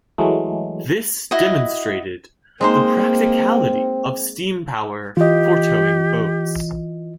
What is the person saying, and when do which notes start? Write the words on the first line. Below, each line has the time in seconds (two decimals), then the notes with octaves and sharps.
This demonstrated the practicality of steam power for towing boats.
0.18 E3 F#3 G#3 A3
1.31 E4 F#4 D#5
2.61 G#3 A#3 C4 D#4 C5
5.17 E3 F4 G4 D#5